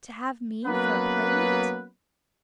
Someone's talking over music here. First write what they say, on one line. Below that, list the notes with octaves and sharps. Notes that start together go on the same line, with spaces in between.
"To have me for a playmate?"
F#3 A#3 B3 C#4 B4